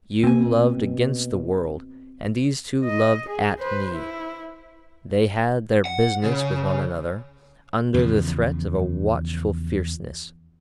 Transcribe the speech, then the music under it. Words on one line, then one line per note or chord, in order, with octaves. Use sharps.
You loved against the world, and these two loved AT me. They had their business with one another, under the threat of a watchful fierceness.
B2 A#3 C4 G#5
D#5
G#4
B4 C5
E4
F#5
C#3
E2 C#3 F3